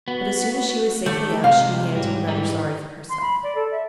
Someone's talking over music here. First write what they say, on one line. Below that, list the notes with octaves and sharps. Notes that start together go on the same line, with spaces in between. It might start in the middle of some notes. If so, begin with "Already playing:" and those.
But as soon as she was safely out she began to be rather sorry for herself.
B3 F#4
D#3 A3 D5
C3 G#3 F5
G3 F4
G#2 E3 F#3 G3
E3 D#4
C6
B5
D5
A4
E5